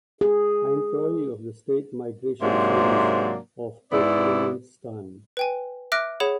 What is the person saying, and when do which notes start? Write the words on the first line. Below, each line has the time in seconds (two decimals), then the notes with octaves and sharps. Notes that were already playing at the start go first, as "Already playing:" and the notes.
Employee of the State Migration Service of Turkmenistan.
0.21 G#4
2.42 G#2 C3 F#3 A#3 D4
3.92 G#2 B3 E4 D5
5.37 B4 G5 G#5
5.92 E5 D6 F6 F#6 A#6 D7
6.20 G#4 C#5 F#5 B5 E7